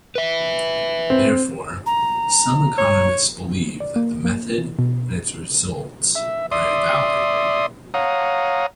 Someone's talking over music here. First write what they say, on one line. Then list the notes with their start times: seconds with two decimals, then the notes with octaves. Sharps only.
Therefore, some economists believe that the method and its results are invalid.
0.15 B4 E5
1.10 C4
1.86 A#5
2.78 C#5
3.80 D5
3.96 A#3
4.25 A#3
4.58 E3
4.79 B2
6.15 E5
6.51 D5 E5 C6 D#6
7.94 C#5 F5 F#5 A#5 D#6